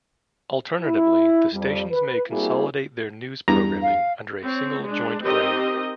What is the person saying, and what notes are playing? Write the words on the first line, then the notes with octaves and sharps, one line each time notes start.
Alternatively, the stations may consolidate their news programming under a single joint brand.
E4
F2 G3
B4
G3 A#3 C4 E4 F#4 G#4
E2 G2 A#5
F5
C4 C#5
G#3 D4
C4 D#4 G4 A#4 D#5